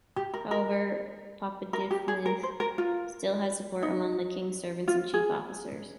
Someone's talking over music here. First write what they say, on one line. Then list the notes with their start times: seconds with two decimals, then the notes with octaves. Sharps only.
However, Papahdilmah still had support among the king's servants and chief officers.
0.16 G4
0.34 A#4
0.51 A#4
1.73 A#4
1.91 G4
2.08 G#4
2.26 A#4
2.43 C5
2.60 A#4
2.78 F4
3.83 D#4
4.88 F4
5.14 G#4